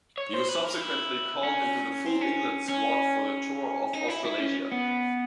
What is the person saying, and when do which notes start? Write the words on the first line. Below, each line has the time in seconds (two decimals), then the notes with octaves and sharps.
He was subsequently called into the full England squad for the tour of Australasia.
0.18 C#5
0.34 C5
0.49 B4
0.64 A#4
0.75 F4
0.81 E4
1.43 C#4
2.06 C4
2.21 C#4
2.68 C#4
3.93 D#4
4.08 E4
4.25 E4
4.40 C#4
4.72 B3